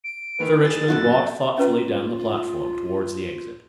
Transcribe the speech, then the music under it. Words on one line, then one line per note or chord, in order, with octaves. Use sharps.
Sir Richmond walked thoughtfully down the platform towards the exit.
D7
D#3 E3 B3
G#4 A6
F#2 B3 F#4 A4
C#4 F4 B4 A#5